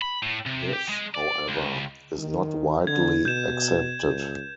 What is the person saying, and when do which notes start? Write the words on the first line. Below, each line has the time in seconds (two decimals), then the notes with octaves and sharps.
This, however, is not widely accepted.
0.02 B5
0.23 A2
0.46 C3
0.73 G4
0.89 G#3
1.15 D5
1.48 C#2
2.18 D#3
2.87 D3 G#6
3.25 B2 G6 E7
4.03 C#2